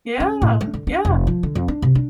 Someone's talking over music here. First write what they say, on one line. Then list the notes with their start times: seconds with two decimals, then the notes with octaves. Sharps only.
Yeah, yeah.
0.20 C#4
0.42 A2
0.61 A3
0.74 D3
0.87 D4
1.05 F1
1.27 F3
1.43 D3
1.55 F2
1.68 D4
1.82 C3
1.95 D4